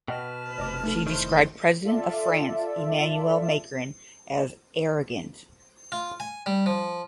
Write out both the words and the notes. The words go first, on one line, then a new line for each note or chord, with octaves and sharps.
She described President of France Emmanuel Macron as "arrogant".
B2 B4 D#5 F#5 G5 A5 F6
F1 D5 D#5 D6
A3 D#4 A4
D#3 E4 C5
F4 A4 D5 E5
F4
G#5
G3
F3